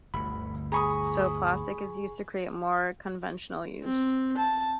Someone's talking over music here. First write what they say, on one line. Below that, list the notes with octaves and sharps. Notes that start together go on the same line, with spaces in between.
So, plastic is used to create more conventional use.
G1 D2 B5
G#4 G#5 A#5 B5 C#6 D#6
C4
A5